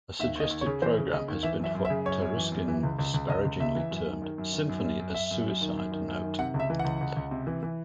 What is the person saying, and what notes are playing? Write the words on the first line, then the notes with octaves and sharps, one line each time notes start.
A suggested program has been what Taruskin disparagingly termed symphony as suicide note.
D#2 E5
D#2 D#5
D#2
C#5
C#3
E3 C5
C#3
C#3 D#5
D#2
E3 E5
F#2 E5
F#2
E5
C#3
F#2 C#5
F#2
E3
F#2
E3
C#2
C#2
C#2
C#2 D#5
C#2
C#2 E5
E3
F#2
D#3
D#3
F#2
D#3
F#2
F#2
F#2
F#2 E5
F#2
F#2
D#3
F#2
D#3
F#2
D#3
C3 F#5
C#2
E5
E3
F#5
C#2
C#2
C#2
C3
E3
E3